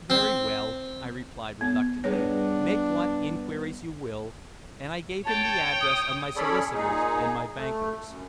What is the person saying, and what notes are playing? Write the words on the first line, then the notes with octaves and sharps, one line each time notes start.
"Very well," I replied reluctantly; "make what inquiries you will." And I gave him the address of my solicitors and my bankers.
C4
B3
G2 B3 D4 G#4 C#5
C#5 G5 A5
D#6
C#4 G#4 A4 C#5 D5 B5
A#2 D#4 G#4
A3
F#2